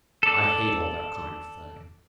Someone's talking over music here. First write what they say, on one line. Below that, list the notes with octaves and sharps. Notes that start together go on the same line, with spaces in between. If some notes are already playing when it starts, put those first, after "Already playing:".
I hate all that kind of thing.
A4 D5